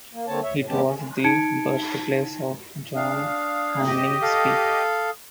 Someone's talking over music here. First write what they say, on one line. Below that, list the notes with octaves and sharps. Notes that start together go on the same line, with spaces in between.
It was the birthplace of John Hanning Speke.
A#3
D3 A#3 C4 C#5 A5
D2 C#5 E5
A2
E2 G#3 B3 C#4 G4 A5
C#4
D#4 A5 G#6 C#7 D7
D4 F5 D#6
G4 D#5
A4 F5